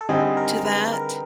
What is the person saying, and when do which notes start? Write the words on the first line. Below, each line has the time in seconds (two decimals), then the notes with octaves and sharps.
to that.
0.01 A4
0.09 D3 G3 C4 D#4 G#4
0.37 A#4
0.65 B4
0.93 A#4